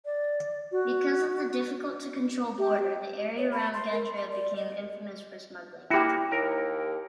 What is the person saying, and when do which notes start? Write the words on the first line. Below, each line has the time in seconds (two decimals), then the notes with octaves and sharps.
Because of the difficult-to-control border, the area around Gandria became infamous for smuggling.
0.05 D5
0.72 F#4
2.58 G4
3.38 C#5
3.52 B5
3.74 C6
3.92 A#4
4.16 C6
4.31 D5
4.56 D#5
5.90 A#3 E4 F#4 G4
6.31 D#2 A#4